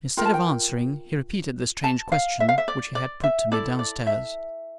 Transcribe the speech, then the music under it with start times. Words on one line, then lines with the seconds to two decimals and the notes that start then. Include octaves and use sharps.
Instead of answering, he repeated the strange question which he had put to me downstairs.
0.17 F4 A#4 G5
0.25 A5
0.34 G5
1.84 A5
2.12 F5
2.40 E5
2.49 F5
2.58 E5
2.68 D5
2.95 D5
3.24 E5
3.51 E4 A4 D5
3.79 D5
4.07 E5